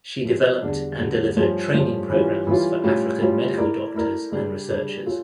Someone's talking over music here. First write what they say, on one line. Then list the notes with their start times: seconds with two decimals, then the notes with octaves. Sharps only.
She developed and delivered training programmes for African medical doctors and researchers.
0.25 F3 C#4 G4
0.62 E2 D3 G3 D4
0.99 E2 D3 G3 D4
1.36 G2 F3 A3 C#4
1.73 G2 F3 A3 C#4
2.10 E3 G3 C#4 F4
2.47 E3 G3 C#4 F4
2.83 A2 G3 C#4 F4
3.21 A2 G3 C#4 F4
3.57 A3 E4 A#4 D5
3.94 A3 E4 A#4 D5
4.31 C#3 G3 D4 G4
4.69 C#3 G3 D4 G4
5.06 C#4 F4 A4